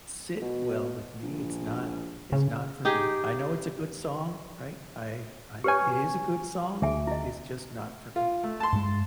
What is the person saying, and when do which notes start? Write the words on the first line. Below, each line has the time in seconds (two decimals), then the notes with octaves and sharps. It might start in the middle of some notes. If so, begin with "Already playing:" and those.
sit well with me, it's not it's not for me. I know it's a good song, right? I I it is a good song, it's just not for me.
0.42 B2
1.23 A#1
2.32 C#3
2.85 D#4 G4 G#4
5.64 G4 B4 C#5 G#5 C#6
6.82 D2 G#4 E5 G#5
7.07 E4 D#5
8.16 F4
8.43 A3
8.60 A5 C6
8.73 G2 G#3